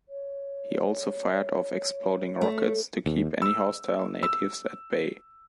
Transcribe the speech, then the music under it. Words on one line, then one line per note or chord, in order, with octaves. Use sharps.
He also fired off exploding rockets to keep any hostile natives at bay.
C#5
A3
D#2
E6
E6